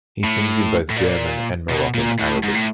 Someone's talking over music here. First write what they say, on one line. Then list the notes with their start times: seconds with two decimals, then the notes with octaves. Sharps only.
He sings in both German and Moroccan Arabic.
0.24 A2
0.90 A2
0.97 A#2
1.70 B2
1.95 A#2
2.19 A2
2.43 G#2
2.54 A2